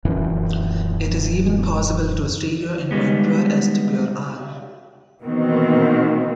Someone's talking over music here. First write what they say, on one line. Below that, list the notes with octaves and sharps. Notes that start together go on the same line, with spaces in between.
It is even possible to stereoinvert pure S to pure R.
D#1 F#2 E3 C#4
D#3 G3 G#3 B3
B2 D#3 E3 A#3 C4